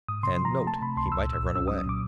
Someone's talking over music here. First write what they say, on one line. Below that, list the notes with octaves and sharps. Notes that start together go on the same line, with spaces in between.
And, note, he might have run away.
G#2 D#6
C3 C6
F3
A#5
C3
A3 A5
C3 B5
C#2 C6
C2 E6
A#2
E6
C2
C#4 E6
D#6
F#3
D#6
A#2 D6